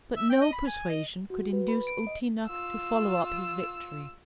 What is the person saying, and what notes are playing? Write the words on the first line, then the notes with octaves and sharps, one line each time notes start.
But no persuasion could induce Outina to follow up his victory.
E5
G5
D#5
B5
G#5
D#5
F#4
B4
B5
D7
D#5
F4 E6